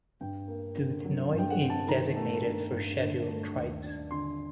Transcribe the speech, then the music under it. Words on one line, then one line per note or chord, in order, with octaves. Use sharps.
Dudhnoi is designated for scheduled tribes.
G2 G5
A#3
D3
F#3
G2
G5
F#5
C4
A5
D#3 A#5
A3
G2
G2
D3
A3
D#2
D4
D3 C6